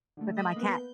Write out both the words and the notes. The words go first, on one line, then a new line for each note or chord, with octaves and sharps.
but then my cat
D3 A3
D#5 B5
A#3 B3 B4
G6